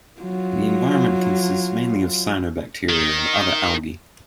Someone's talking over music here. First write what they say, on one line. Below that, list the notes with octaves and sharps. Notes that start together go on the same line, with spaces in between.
The environment consists mainly of cyanobacteria and other algae.
F#3 F4
D#3